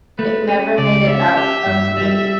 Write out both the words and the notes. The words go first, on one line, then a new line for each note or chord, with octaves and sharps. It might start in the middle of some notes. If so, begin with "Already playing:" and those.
It never made it out of committee.
A3 B4
C#4
C#2 D5
C#4 E5
G4
G2
G3